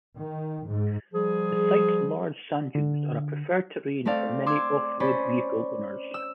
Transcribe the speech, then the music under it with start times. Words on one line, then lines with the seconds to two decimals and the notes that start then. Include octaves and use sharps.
The site's large sand dunes are a preferred terrain for many off-road vehicle owners.
0.19 D#3
0.68 G#2
1.13 F3 G3 G#4
2.75 D3
4.05 A3 C4 A4 D5 F5
4.46 C6 D6 E6 G#6
5.00 C#4 C5 D5 B5
6.14 E6